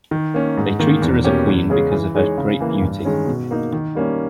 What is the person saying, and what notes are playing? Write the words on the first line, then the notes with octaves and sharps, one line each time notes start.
They treat her as a Queen because of her great beauty.
D#3
A#3 C#4
G#2
D#3 A#3
E2
B2 A#3 C#4 G4
E2
C#3 G#3 C#4 G#4
E3
G#3 D#4 G#4 C#5
C#3
E3 A#3
G2
D#3 G#3 C#4
B2
A#3 D#4
D#3
G3 A#3 C#4